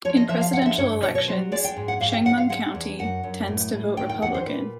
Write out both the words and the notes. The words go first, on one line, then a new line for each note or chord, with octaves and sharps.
In presidential elections Chemung County tends to vote Republican.
F3 C#5
D#5
F3 E5
F5
D3 F#5
D#5
E5
G2 C#5
B2 C#5
C#5
F#3 C5
G#3 D5
G5
G#2
F#5
G#2 F5
G5
G#2 F#5
F5
G#3 F#5
E2
F#2 F#5
F#2
A2
A2
D#3 G5
G5
E2 F#5
C5
A#2 B4